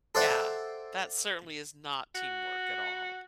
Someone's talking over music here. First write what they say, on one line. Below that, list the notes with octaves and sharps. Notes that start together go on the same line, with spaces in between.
yeah, that certainly is not teamwork at all.
A4 C5 D5 E5 F#5 G5
F#4